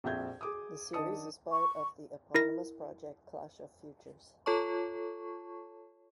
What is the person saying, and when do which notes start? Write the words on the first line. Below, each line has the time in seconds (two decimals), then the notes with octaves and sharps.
The series was part of the eponymous project Clash of Futures.
0.04 A#1 F2 E5 G6 G#6
0.41 G#4 D6 D#6
0.93 D#3 D4 D#5 A5 D#6 C#7
1.52 C#6
2.34 E4 A#4 A#6
4.46 F4 A4 C#5 A5 C#6